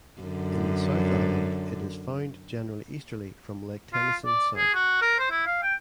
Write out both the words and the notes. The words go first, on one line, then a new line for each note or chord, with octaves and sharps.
In the South Island it is found generally easterly from Lake Tennyson south.
F#2 D3
F4
D5
G#4
F#4
A#4
C5
E4
F5
G5